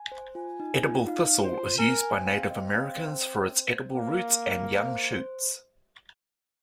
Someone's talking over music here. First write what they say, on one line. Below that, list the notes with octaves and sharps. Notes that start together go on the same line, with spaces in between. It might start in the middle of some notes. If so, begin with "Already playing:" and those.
Edible thistle is used by Native Americans for its edible roots and young shoots.
Already playing: G#5
C5
F4 G#5
D#4
F4
D#4 F5
F4 C5
A#4 G#5
G#5
C4
F5
D#5
F5
C5
A#3
F5
C5
C5